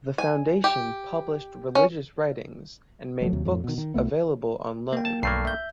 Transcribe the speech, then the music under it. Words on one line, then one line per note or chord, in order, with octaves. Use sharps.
The foundation published religious writings and made books available on loan.
G#5
G4
C#4
F#1 F3 F#3 A3
D#2 C3 F#3
F2 A2 F3
B2 D#3
D#3
C2 A3 B3
A#3 G5
A5
B1 G2 A3 A#3 C7
E5 G6